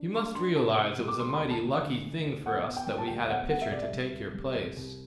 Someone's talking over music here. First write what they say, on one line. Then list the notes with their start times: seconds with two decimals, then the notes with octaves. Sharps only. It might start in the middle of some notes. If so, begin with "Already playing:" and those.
You must realize it was a mighty lucky thing for us that we had a pitcher to take your place.
Already playing: D4
0.14 G3 C6
0.35 D4 C6
0.56 C3 A5
0.78 C3
0.99 G3
1.08 D6
1.19 A3 C6
1.30 C6
1.35 B5
1.40 D2
1.51 A5
1.61 D2
1.82 D3
2.03 A3
2.25 D2
2.45 B3 F#5
2.66 B3
2.77 G5
2.87 G3
2.98 A5
3.08 D2 G5
3.24 E5
3.29 B3 F#5
3.50 G3 F#5
3.62 E5
3.71 C2 D5
3.83 E5
3.93 G3
4.13 C2
4.34 G3
4.56 C2
4.76 C2